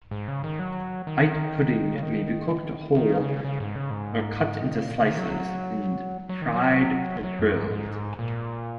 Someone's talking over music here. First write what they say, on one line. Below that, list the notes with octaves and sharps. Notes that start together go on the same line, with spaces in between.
White pudding may be cooked whole or cut into slices and fried or grilled.
G#2
C#3
D#3
F#3
D#3
C#3
D#3
D#3
C#3
C#3
G#2
C#3
G#2
D#3
C#3
A#2
C#3
D#3
F#3
F#3
D#3
F#3
F#3
F#2
G#2
G#2
A#2